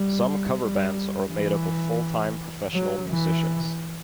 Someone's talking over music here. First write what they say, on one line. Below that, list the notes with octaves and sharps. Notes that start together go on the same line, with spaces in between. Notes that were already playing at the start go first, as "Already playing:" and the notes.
Some cover bands are made up of full-time professional musicians.
Already playing: G3
G3
E3
F#3
E3